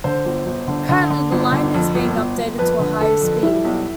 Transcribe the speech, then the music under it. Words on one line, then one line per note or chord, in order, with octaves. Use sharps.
Currently the line is being updated to the higher speed.
D3 C5
G1
G1
D3
D3
D3
G1
D3
F2
G1
G1
G1
F2 B4
D3
D3 A4
F2
G3 E4
B1